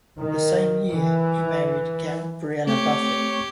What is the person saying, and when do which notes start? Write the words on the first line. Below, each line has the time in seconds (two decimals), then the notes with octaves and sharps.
The same year, he married Gabrielle Buffet.
0.17 D#3
0.91 E3
2.67 A3 C4 G4 C#5